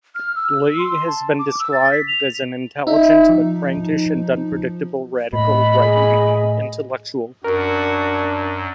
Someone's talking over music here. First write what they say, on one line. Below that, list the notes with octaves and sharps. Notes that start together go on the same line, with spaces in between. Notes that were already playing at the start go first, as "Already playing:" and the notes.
Leigh has been described as an "intelligent but prankish and unpredictable radical rightwing intellectual".
F6
E6
C6
A5
D6
E6
A6
B6
F7
D#4 E5
F3
A2 D#5 B5
G#4
F#2 D4 F#4 A#4